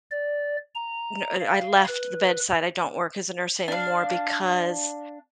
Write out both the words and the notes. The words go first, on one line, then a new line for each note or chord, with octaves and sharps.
n and I left the bedside; I don't work as a nurse anymore because
D5
A#5
F5
B4
D4 F5